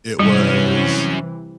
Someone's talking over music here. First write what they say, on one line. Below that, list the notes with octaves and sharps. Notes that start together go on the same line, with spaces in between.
It was
C3 E3 F#3 G3 C#4